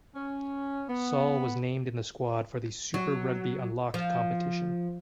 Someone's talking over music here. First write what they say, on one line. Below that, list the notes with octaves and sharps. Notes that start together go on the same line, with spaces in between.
Saal was named in the squad for the Super Rugby Unlocked competition.
C#4
B3
F#3
F3